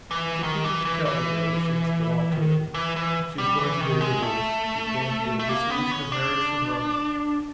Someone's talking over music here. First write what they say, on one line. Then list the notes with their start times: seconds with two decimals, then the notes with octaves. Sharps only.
She continued to tell the girl that she must belong to Edward; she was going to get a divorce; she was going to get a dissolution of marriage from Rome.
0.11 E3
0.43 D#3
0.64 E3
0.85 E3
1.05 E3
2.33 D#3
2.74 E3
2.96 E3
3.38 G3
3.59 E3
3.80 D#3
4.01 G#3
4.22 A3
5.39 A3
5.49 A#3
5.70 B3
5.91 C#4
6.12 D4